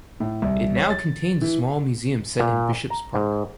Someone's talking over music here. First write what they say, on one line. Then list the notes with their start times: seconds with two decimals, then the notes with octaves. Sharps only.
It now contains a small museum set in Bishop's Park.
0.20 A2
0.42 C2
0.76 C#5
0.90 A6
1.42 E3
2.40 A#2
2.90 A#5
3.15 G#2